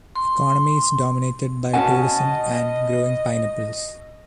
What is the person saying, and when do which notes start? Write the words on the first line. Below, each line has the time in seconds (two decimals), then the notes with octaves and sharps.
Economy is dominated by tourism and growing pineapples.
0.15 C6
1.74 B2 C#4 D#5 F#5 G#5 A5